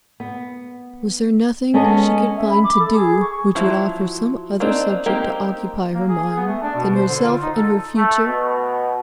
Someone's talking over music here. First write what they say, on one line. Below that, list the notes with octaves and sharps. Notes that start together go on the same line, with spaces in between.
Was there nothing she could find to do which would offer some other subject to occupy her mind than herself and her future?
B3
G#3 B3 C#4 A4 D#5
E5
B5
D6
A4
G#4
C#6
F3 F#3 E4
A#3 C4 D4 D#4
A#3 C4 D#4 G4 A#4
A#3
G#4
G#4
B3
A3
D4
B2
C5
D3
F4
D#4
A4
A3
B2